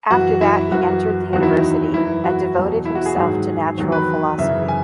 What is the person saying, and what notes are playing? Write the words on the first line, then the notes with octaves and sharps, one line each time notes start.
After that he entered the University, and devoted himself to natural philosophy.
F#2 E3 F#4
E4
F#2 E3 F#4
E2 D#3 F#3 F#4
E4
D#4
F#2 E3 E4
F#4
E2 B2 F#3
E4
F#4
G#4
G#2 D#3 F#3
E2 D#3 F#3
B4
F#2 C#3 E3 E5
G#5